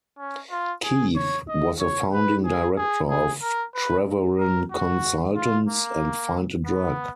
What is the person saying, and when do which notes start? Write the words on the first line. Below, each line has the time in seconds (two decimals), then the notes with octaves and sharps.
Keith was a founding Director of Treweren Consultants and Find-a-Drug.
0.19 C#4
0.51 F4
0.83 G#4
1.15 C#5
1.48 D#5
1.80 C#5
2.13 B4
2.45 G#4
2.78 G#4
3.10 G#4
3.42 A#4
3.74 B4
4.39 A#4
4.72 F#4
5.36 F4
5.69 A#3
6.65 B3